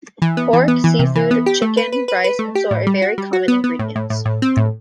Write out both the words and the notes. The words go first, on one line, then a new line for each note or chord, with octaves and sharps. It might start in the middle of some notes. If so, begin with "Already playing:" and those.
Pork, seafood, chicken, rice, and soy are very common ingredients.
E3
B3
E3
B3
E3
C3
E3
B3
G4
A3
B4
B4
B4
B4
A3
G4
A2
G3
F#4
G3
F#4
B3
B3
A2
A2
A2
A2
C4
A2